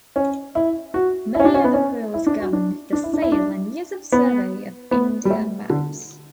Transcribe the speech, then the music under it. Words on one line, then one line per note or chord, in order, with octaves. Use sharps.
Many other rules govern the sale and use of Survey of India maps.
C#4
E4
F#4
E4
C#4
D4
C#4
B3
C#4
E4
D4
F#4
D4
D4
E4
D4
E4
D4
B3
B3
G3
A3
D3